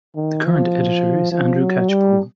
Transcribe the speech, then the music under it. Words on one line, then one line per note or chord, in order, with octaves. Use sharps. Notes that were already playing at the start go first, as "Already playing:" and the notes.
The current editor is Andrew Catchpole.
D#3
F3
F3
F#3
G3